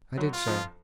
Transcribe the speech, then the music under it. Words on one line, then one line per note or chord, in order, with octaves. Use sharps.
I did so.
F#2 F#3
F4
F2 F3